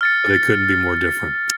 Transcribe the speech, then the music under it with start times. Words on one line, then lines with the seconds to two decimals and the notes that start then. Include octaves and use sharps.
They couldn't be more different.
0.01 F6 A6 C#7